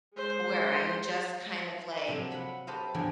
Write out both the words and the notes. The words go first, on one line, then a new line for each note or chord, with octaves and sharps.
where I'm just kind of, like
G#3 C5
C3 F3 F#3 A#3
F#5 B5
G4 A4 B4 C5 D#5 F5
E2 D3 F3 F#3 G5 G#5